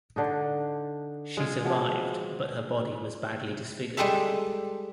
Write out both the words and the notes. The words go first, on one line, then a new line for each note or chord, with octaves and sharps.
She survived but her body was badly disfigured.
D3 D4 D#4
G#3 F4 G#4
B2 F3
G3 G#3 G4 A4 E5